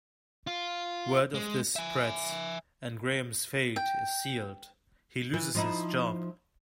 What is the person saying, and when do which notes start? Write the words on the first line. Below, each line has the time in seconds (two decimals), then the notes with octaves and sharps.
Word of this spreads, and Graham's fate is sealed; he loses his job.
0.47 F4
1.34 G#3
1.76 E5 G#5
3.76 G5
5.34 E3
5.55 F3 D#4 E4